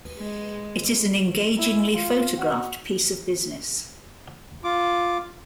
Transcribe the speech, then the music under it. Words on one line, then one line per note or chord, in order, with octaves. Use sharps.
It is an engagingly photographed piece of business.
G#3
E4
F4
F#4
F4 D6